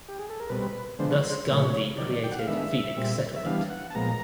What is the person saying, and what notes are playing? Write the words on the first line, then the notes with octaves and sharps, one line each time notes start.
Thus Gandhi created "Phoenix Settlement".
G4
G#4
A4
A#4
B2 G3 C4 B4
D3 F3 G#3 B3 D4 C5
C#5
C5
A#2 F3 A3 C#4 C#5
C3 D#3 F#3 D5
G5
F#5
F5
D#3 G#3 B3 D4 E5
A#2 G3 C4
E5
E3 G3 B3 D4 F5
F#5
A5
A#2 F3 G#3 B3 A#5